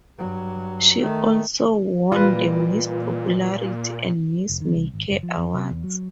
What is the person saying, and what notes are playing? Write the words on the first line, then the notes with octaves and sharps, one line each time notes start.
She also won the "Miss Popularity" and "Miss May Care" awards.
G2 F#3
D#3 A3
A#2 E3 G3 F4 B4 D#5
F1
D#3
C2
G#1
F#1
F3
F2
C3
E2
F#3